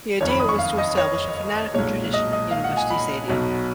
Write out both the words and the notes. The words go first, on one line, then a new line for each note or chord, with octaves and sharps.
The idea was to establish a fanatical tradition at University Stadium.
F#1 F2 D#3 C#5
B5
D#6
C#6
F5
D#5
C#5
B1 A#2 G#3 C#5
D#5
D#5
F5
F#5
G#5
B5
B1 B2 F#3